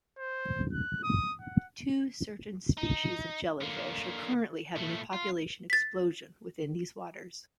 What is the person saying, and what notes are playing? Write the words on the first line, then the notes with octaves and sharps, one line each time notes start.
Two certain species of jellyfish are currently having a population explosion within these waters.
C5
F#6
D#6
F#5
D#4
D3 A#3
A#2 A3
F4
A6 B6